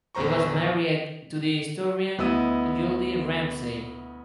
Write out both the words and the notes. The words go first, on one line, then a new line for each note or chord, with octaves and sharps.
He was married to the historian Jully Ramsay.
A#1 E2 C5 A#5 C#6
D2 B3 E4 D#5 E6 D#7